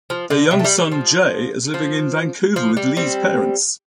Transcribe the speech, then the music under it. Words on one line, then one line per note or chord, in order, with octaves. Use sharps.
Their young son, Jay, is living in Vancouver with Lee's parents.
F3
D3
C3
A3
G3
G3
F3
F3
F3
G3
G3 C4